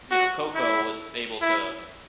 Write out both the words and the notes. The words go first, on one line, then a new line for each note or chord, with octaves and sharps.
you know, Koko was able to
F#4
E4
E4